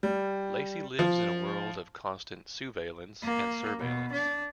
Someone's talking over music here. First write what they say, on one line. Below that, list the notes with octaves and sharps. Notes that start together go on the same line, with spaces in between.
Lacey lives in a world of constant sousveillance and surveillance.
G3
F3
A#3
B2
D4